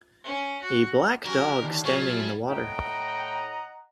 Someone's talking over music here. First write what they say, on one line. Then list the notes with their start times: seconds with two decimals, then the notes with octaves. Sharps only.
A black dog standing in the water.
0.24 C#4
0.63 F#4
1.25 F#3 C#4 G4 A#4
1.60 D#2 D3
1.85 A#2 F#3 G3 A3 F4 G#4 C#5
2.50 A2 D#5 F#5 G5 A#5